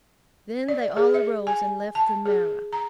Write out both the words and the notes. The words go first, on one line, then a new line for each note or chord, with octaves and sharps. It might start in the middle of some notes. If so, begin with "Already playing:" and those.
Then they all arose and left the marah.
D5
G#4
E5
G#5
A5
G#4
A#5